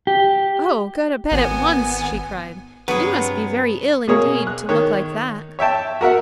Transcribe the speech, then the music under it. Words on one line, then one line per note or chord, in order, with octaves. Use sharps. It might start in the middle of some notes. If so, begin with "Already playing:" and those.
'Oh! go to bed at once,' she cried; 'you must be very ill indeed to look like that!'
G4
G#1 B3 G#5
G2 C3 F#3 B3 G#4 B4
B2 A#3 G#4 C#5
F#6
D#3 C#5
C#5 E5 G5 A5
F#4 A#4 E5 F#5